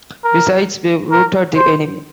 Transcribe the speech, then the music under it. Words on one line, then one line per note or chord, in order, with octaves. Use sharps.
Besides, we've routed the enemy.
A#4
A#4
C5